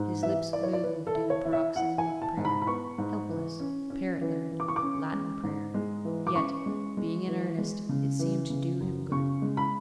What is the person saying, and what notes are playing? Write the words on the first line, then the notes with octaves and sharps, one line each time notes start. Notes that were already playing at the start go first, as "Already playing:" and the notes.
His lips moved in a paroxysm of prayer--helpless, parrot-learnt, Latin prayer; yet, being in earnest, it seemed to do him good.
Already playing: G#2
E3 E5
E4 D5
C#5
D5
E3 B4
A4
E4
C#5
E4
E5
E4 F#5
G#5
E4
A5
G#2
B5
B5
B3 C#6
G#2
E3
C#4
C#4
E3
E3
D6
C#6
D6
C#4
G#3
G#2
G#3
E3
D6
C#4 C#6
G#3
G#3
E3
G#3
C#3
E3
C#3
F#2
C#3 C#6
G#3
B5